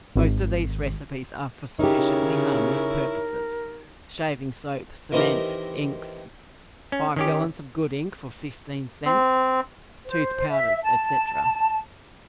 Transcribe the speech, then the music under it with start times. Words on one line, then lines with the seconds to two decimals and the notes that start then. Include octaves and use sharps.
Most of these recipes are for sufficiently harmless purposes--shaving-soap, cement, inks--"five gallons of good ink for fifteen cents"--tooth-powders, etc.
0.16 G#1
1.79 C#3 D#4 E4 G4 A#4 C#5
5.12 D#3 E3 C4 D#4 G4 A#4
6.92 C#4
7.16 D#3 C#4 G4
9.05 C4
10.07 C5
10.49 E5
10.83 A5